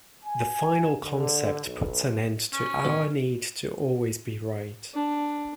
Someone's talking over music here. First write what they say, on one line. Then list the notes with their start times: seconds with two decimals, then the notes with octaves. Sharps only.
The final concept puts an end to our need to always be right.
0.24 G#5
1.03 D3
1.65 B1
2.53 C#4
2.85 B2 E3
4.94 D4